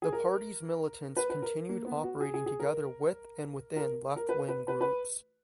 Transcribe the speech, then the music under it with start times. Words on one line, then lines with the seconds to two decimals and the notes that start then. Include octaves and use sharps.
The party's militants continued operating together with and within left-wing groups.
0.02 G#4
0.13 A#4
1.17 B4
1.30 B4
1.42 A#4
1.69 A#3
1.86 B3
2.03 F#4
2.21 G#4
2.34 G#4
2.46 G#4
2.60 A#4
3.76 A#4
4.16 A#4
4.29 B4
4.48 B4
4.68 B4
4.81 B4